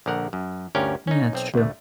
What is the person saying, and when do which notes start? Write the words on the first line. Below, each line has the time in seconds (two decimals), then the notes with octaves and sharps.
Yeah, it's true.
0.06 A#1 D3 A#4 F#5
0.33 F#2
0.75 G1 D2 C#4 G4 A#4
1.07 C#4 D#4
1.33 B1 C4
1.54 D2 A3